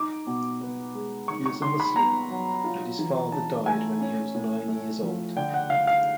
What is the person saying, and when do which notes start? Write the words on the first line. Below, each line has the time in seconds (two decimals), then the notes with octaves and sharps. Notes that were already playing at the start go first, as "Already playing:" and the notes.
He is a Muslim, and his father died when he was nine years old.
Already playing: D#4 D6
0.27 B2
0.61 B3
0.95 G#3
1.28 D#3 C#6
1.46 C#6
1.62 D#3 C6
1.80 B5
1.96 B3 A#5
2.31 F#3
2.64 F4
2.99 E3
3.32 D4 A5
3.66 A3 G#5
4.01 C#4
4.34 A2
4.68 A3
5.03 F3
5.36 D3 G5
5.54 F#5
5.70 D3 F5
5.87 F5